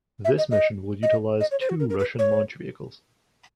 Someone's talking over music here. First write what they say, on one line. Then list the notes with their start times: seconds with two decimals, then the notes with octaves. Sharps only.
This mission will utilize two Russian launch vehicles.
0.25 E5
0.38 D#5
0.51 D#5
1.03 D#5
1.40 D#5
1.51 C#5
1.61 C5
1.69 F#4
1.80 A#4
1.90 A#4
1.99 B4
2.19 C#5